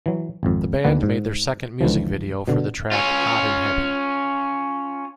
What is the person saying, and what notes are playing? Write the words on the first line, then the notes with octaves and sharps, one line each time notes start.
The band made their second music video for the track "Hot and Heavy".
E3 F#3
G#1 F2
D2 D3 D#3 A#3 B3 F#5
G#2
C#2 D3 E3 F3
B2 D3
C#4 F4